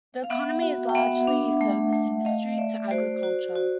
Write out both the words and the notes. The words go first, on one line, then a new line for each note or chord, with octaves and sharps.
The economy is largely service industry to agriculture.
F5
B3 E5 F#5
F#4
G5
B3 E5 F#5
D4
A3
A3
A3 D#5 F5
A3 D5 E5
F#4 C5 D5
F#4
F#4